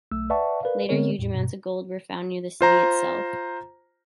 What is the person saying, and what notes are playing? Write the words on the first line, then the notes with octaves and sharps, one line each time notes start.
Later huge amounts of gold were found near the city itself.
B1 A3 E6
B4 D5 E5 F#5 A5 C#6
A#4 B4 D5 F5
D3 G#3 B3 C4 A#4 C#5
E2 A2
G2 B2
F4 C5 A#5